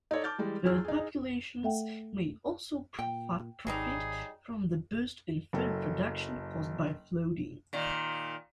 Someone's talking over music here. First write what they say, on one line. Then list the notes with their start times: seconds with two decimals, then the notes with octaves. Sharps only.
Bird populations may also profit from the boost in food production caused by flooding.
0.11 D#4 A4 C#5 D5
0.24 A5 D6 F6 G6 A6
0.38 E3 G3 G#3
0.65 E2 F3 F#3 G#4 E6 F6
0.84 D#4 G#4
1.63 A3 A4 E5 F#5 G5
2.99 A#2 G5
3.67 G#1 F#3 G3 D#4 G#4
5.53 F#1 F#3 A4
7.73 A#2 D#3